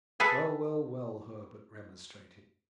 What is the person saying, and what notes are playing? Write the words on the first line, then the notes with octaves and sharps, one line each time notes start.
"Well, well, well!" Herbert remonstrated.
G#4 A4 B4 E5 A5